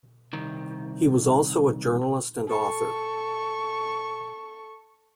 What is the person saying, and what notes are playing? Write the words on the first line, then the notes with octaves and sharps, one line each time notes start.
He was also a journalist and author.
C2 D#3
A4 C#6